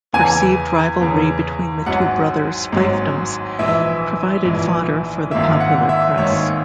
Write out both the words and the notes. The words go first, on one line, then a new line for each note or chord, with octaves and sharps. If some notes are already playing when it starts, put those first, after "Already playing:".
Perceived rivalry between the two brothers' fiefdoms provided fodder for the popular press.
E2 C#3 E3 G#5
E2 C#3 E3
G#1 G#2 F#3 C#4 F#5
G#1 G#2 F#3 C#4
A#1 G#2 E3 E5
A#1 G#2 E3
G#1 G#2 D#3 A#3 E5
F#5
E5
G#1 G#2 D#3 A#3 C#5